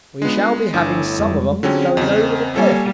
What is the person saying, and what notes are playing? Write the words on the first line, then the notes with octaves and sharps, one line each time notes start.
We shall be having some of 'em going over the cliff.
C#2 G#3 B3 D4 F4
G1 A2 D4 G#5 E6
F2 G3 G#3
D3 F#3 C4 C#4 F4 G#4 G5
E2 C#3 D#5
G3 A#3 A4 C#5 G#5